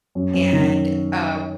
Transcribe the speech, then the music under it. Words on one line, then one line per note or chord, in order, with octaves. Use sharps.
And, uh
F#2
F#2
D#3